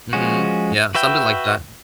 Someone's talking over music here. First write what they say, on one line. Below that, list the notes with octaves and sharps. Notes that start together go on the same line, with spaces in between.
Mhm, yeah, something like that.
F3 G#3 C#4 F#4
F#4 B4 E5 G5